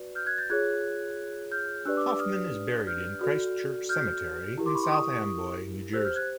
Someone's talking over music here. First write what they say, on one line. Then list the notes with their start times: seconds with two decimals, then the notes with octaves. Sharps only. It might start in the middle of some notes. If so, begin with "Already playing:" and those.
Hoffman is buried in Christ Church Cemetery in South Amboy, New Jersey.
Already playing: F#4 B4 D5
0.15 F6 G6
0.26 F#6 G#6
0.38 G6 A6
0.49 F4 G#4 C#5 F#6 G#6
1.52 F6 G6
1.85 D4 G4 B4 D5 E6 F#6
1.97 D6 E6
2.08 D6 E6
2.19 D#6 F6
2.87 F6 G6
3.21 F#4 A4 D5
3.89 F6 G6
4.58 E4 G4 A#4
4.66 C6 D6
4.75 B5 C#6
4.83 C6 D6
4.91 C#6 D#6
5.93 G4 C5 E6 F#6
6.05 F6 G6
6.16 F#6 G#6